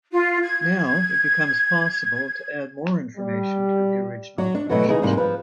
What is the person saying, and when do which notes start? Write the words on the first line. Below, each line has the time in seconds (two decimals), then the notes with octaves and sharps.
Now, it becomes possible to add more information to the original relationship.
0.12 F4
0.43 G#6
3.17 G3
4.38 F#3 D5
4.55 D4
4.69 B2 E3 F#3 A3 B3 F#4
4.88 C#3 E3 G#3 D#4 G#4
5.02 G#2 C3 G3 A#3
5.17 F3 B4